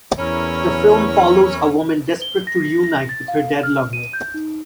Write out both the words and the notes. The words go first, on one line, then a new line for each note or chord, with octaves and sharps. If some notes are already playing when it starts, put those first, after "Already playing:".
The film follows a woman desperate to reunite with her dead lover.
E2 C#4 E4 A#4 C#5
G7
A#6
A#6
A6
F5
F6
D#7
G6
D#4